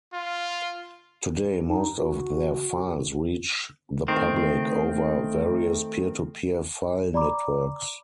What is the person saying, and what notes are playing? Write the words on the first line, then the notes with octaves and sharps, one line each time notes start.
Today most of their files reach the public over various peer-to-peer file networks.
F4
D#4
F#4
D#3 A3 C4
D5 A#5 B5 D6